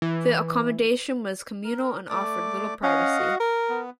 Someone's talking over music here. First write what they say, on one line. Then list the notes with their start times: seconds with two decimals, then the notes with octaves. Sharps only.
The accommodation was communal and offered little privacy.
0.02 E3
1.64 A#4
2.09 A3 D5 D6
2.83 C#4 D#5 F5 F#5
3.20 F#4
3.40 A#4
3.70 B3